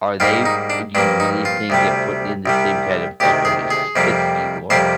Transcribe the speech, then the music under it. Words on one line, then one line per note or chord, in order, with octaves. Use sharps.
are they do you really think they're putting in the same kind of effort as as you are
G#2 G3 A#3 F4
D#4
D4
G2 F3 A#3 D4
D#4
F4
D2 C3 G3
C2 C3 G3
D2 C3 D#3 G4
G#4
G#4
F2 C3 G3 A#3
F2 C3 G3 A#3 C5